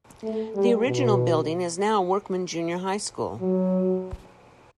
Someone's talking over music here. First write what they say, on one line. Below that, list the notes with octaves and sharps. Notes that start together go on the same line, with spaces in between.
The original building is now Workman Junior High School.
A3
G3
B2
F#3